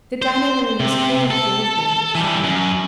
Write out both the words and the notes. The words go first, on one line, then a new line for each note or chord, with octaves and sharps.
The dining-room was full of gay things.
C5
C3
A4
E3 G3
F#2